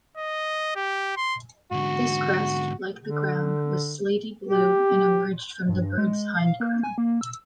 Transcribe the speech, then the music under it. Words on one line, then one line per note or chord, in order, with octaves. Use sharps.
This crest, like the crown, was slaty-blue and emerged from the bird's hindcrown.
D#5
G4
C6
G#2 D3 F#4
D3
G4
G2
G#3
F5
A#3
G#5
A#3
E6